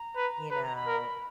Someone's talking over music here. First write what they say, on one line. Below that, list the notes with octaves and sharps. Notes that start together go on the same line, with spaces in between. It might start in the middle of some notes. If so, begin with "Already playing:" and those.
you know,
Already playing: A#5
B4
B4 A#5
A#5
B5
A#4